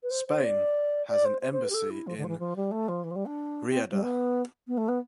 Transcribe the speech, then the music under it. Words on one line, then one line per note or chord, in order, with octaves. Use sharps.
Spain has an embassy in Riyadh.
B4
C5
C5
D5
D5
C5
C5
C5
B4
G4
A4
E4
F3
D3
F3
E3
F3
G3
A3
F3
E3
F3
G3
D4
C4
G3
B3
B3
A3
B3